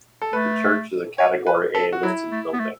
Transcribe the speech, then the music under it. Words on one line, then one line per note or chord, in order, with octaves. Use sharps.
The church is a Category A listed building.
A4
A3 B4
C#5
B4
A4
F#4
F#3 E4
A3
B3
A3